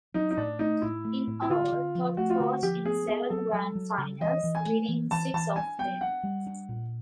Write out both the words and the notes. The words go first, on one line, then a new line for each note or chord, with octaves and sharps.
In all, Todd coached in seven Grand Finals, winning six of them.
F#3 D#4
D#4
A2 D4
A3 D#4
A2 E4
A3
A2
E4
D3 F4
D3
F3
A3 F#4
F4
D3 F#4
F3 G4
B3 G#4
B3 G#4
F#3 A4
F#3
F#3
C#3
E3 D#5
E3
G#5
A3
E3
E3 A5
E3 A5
D4 G#5
B3 G5
D4 F#5
G3
D4
A#2